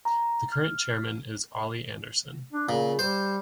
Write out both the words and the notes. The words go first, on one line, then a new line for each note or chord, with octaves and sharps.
The current chairman is Ole Andersen.
A#5
F6
D4
A#2 C#3
G3 C5